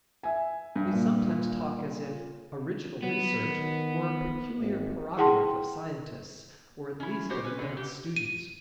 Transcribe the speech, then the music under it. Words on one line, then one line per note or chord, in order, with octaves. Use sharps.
We sometimes talk as if "original research" were a peculiar prerogative of scientists or at least of advanced students.
E5 G#5
G2
A#2
F#3 B3
D#3
G#1
E4 G#4 F#5 G5 A5 C6
C#4 E4
F#4 G4 C5
C#4 B4
D3
G4
D#7